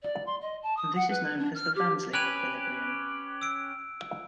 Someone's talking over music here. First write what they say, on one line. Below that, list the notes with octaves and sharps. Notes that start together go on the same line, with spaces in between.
This is known as the Wanzlick equilibrium.
D5
C6
D#5
A5
D#6
F#5
B4
D4
F6
G4
C#4 G4 B4 F#6 G#6 F7
E6 D7